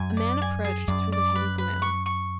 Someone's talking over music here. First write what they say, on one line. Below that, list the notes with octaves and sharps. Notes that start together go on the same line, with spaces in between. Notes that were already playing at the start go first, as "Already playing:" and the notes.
A man approached through the heavy gloom.
Already playing: F#2 G#5
D5
G#5
G#4
F#2 D5
D5
B4
B4
C#6
C#6